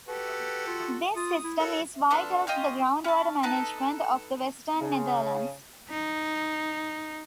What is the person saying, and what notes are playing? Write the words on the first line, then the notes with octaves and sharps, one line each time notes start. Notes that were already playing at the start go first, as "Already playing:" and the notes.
This system is vital to the groundwater management of the Western Netherlands.
F#4 G4 A4 B4
F4
F4 D#6
E4
F#4 A4 A#4 C#5
B3 D4 F4 A4
C#4 F4 G4 D#5
C#4 A5
D#4 A4 B4 A5
C#3
D#4